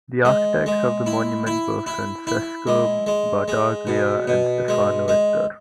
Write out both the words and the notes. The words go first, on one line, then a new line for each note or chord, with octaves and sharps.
The architects of the monument were Francesco Battaglia and Stefano Ittar.
G#3
G#3
E4
E4
E4
E4
G#3
G#3
G#3
B2
B2
G#3
G#3